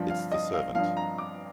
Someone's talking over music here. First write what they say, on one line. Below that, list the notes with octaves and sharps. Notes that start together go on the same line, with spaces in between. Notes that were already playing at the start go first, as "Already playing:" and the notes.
It's the servant.
Already playing: G2 F3
F5
D#5
F5
G2 F3 F5
A#5
D6